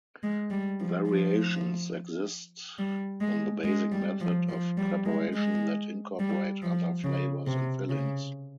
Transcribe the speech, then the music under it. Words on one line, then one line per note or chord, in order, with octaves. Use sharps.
Variations exist on the basic method of preparation that incorporate other flavors and fillings.
G#3
G3
F3
F3
G3
G#3
G#3
G3
F3
F3
G3
G#3
G#3
G3
F3
C#3
C3
C#3